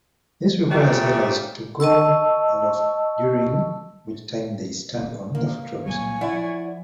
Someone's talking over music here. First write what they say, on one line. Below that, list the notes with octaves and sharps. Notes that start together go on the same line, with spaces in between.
This requires sailors to go aloft, during which time they stand on the footropes.
A#2 C#3 E3 G3 A3
D#5 A5 C#6 E6
A#3
A#2 F#3 G3 C#5 G#5
F3 E4 D5 F#5